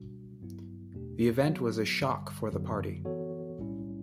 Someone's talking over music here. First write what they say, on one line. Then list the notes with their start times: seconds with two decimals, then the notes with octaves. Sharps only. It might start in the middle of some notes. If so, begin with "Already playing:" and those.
The event was a shock for the party.
Already playing: C#2 B2 G3 D4 F#4
0.40 A1 G2 F#3 B3 E4
0.94 E2 B2 A3 D4 G4
1.47 D3 F#3 B3
2.00 A1 G2 D3 G3
2.52 F#2 D3 F#3 B3
3.05 E3 B3 F#4 A4 C#5
3.58 B1 A2 G3 C#4 E4